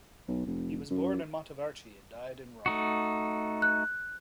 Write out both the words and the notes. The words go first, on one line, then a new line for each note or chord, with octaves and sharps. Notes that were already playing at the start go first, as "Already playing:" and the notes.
He was born in Montevarchi and died in Rome.
B1
F1
F#2
A3 D#4 F#4
F#6